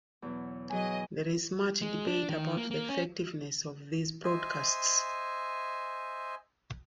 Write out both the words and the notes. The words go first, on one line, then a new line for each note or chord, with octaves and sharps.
There is much debate about the effectiveness of these broadcasts.
E2 B2 F#3
F#3 G#4 D#5 G#5
G#3
D4
D#3
A#3
A#3
C#4
C5 D#5 E5 G#5